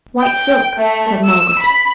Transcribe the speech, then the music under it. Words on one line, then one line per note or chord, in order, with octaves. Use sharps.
'White silk,' said Margaret.
G5
A3
E6
B5